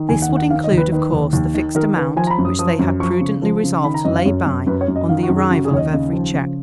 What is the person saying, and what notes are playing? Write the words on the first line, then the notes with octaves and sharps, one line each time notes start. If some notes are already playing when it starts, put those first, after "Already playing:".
This would include, of course, the fixed amount which they had prudently resolved to lay by on the arrival of every cheque.
Already playing: D#3
D#2 G#5
F#5
D#3
F#5
D#3 F5
D#5
D#2
B4
D#3 B4
D#2
D#2
D#3
D#3 A#4
D#3 B4
F3 G#5
A#5
B5
F#2
D#6
F3 D#6
F#2
F3 C#6
C#3
F3
C#3
D#3 B5
A#5
F#2 D#5
F5
F#2 C#5
F#2
F#2 B4
C#5
F#2
D#5
D#3 F5
F#4
F#2
G#4
C#3 F#4
G#4
D#2 C#5
D#5
C#3
F3
C#3